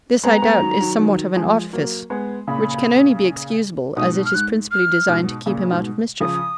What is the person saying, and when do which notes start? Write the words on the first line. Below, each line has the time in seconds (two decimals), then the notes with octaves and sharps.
This, I doubt, is somewhat of an artifice; which can only be excusable, as it is principally designed to keep him out of mischief.
0.23 G#3 B3 A#5
0.42 G#3 B3
0.61 D#3 F#3
0.80 D#3 F#3
0.98 D#3 F#3
1.36 F3 G#3
1.73 F#3 A#3
2.10 G#3 B3
2.48 A#2 C#3 B5
3.96 G#2 B2 D#6
4.26 F6
4.34 G#2 F#6
4.71 F6
5.08 G#2 B2
5.46 A#2 C#3
5.71 G#2 B2
6.20 C#3 F3 D#6